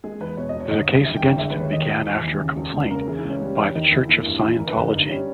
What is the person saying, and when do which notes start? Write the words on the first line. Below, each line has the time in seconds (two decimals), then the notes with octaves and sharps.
The case against him began after a complaint by the Church of Scientology.
0.04 G#3 G#4
0.21 E2 B4
0.37 B2 C#5
0.49 D#5
0.54 E1
0.60 C#5
0.71 G1 D#5
0.88 G2
1.05 E3 E5
1.16 G5
1.22 G1
1.38 G#3 E5
1.50 B4
1.55 D#2
1.61 C#5
1.73 D#3 D#5
1.89 E1
2.07 E3
2.23 D#2
2.40 C#3
2.57 E1
2.73 C#2
2.91 C#3 A#4
3.08 E3 G#4
3.19 E4
3.24 C#2
3.30 C#4
3.42 G3
3.58 E2
3.75 D#3 D#4
3.92 E1 E4
4.09 A#3 E4
4.26 G2
4.42 E3 E4
4.59 G1 A#4
4.68 B4
4.76 G1 A#4
4.93 G2 D#4
5.10 G3 C#4